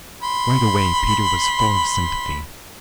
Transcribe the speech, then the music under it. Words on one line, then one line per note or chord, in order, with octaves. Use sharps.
Right away Peter was full of sympathy.
B5 C6